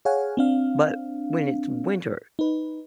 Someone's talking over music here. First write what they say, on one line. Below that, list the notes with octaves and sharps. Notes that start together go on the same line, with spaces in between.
but, when it's winter,
G#4 C#5 F5 F#5 G#5
C4 D4 F5
D#4 B4